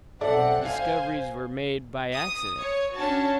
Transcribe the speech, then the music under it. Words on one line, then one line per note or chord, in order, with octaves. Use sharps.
Discoveries were made by accident.
B1 C4 A4 D5 E5 F#5
C5 F5 G#5
D#6
C#5
C#4 D4 F#4 A5